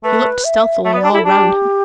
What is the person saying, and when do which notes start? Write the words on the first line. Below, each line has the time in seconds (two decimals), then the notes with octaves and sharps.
He looked stealthily all round him.
0.04 A3 B4
0.44 E5
0.84 A3 E5
0.94 B3
0.97 D5
1.04 D4
1.11 G4
1.14 E4
1.19 A4
1.25 D4 G4